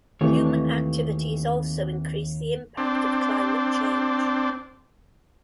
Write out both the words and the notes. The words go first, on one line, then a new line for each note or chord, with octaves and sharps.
Human activities also increase the impact of climate change.
D#2 C3 E3 A3 C#5
C4 D4